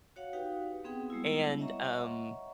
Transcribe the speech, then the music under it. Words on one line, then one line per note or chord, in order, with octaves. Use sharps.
And, um,
F#4 C#5 F5 F#5
D#4 F#4 G4 B4 F5 G5
B3 C4 G#4 F#5 G5 D#6
G3 G#3 B3 E4
C#5 D#5 E5 F#5 A#5 C#6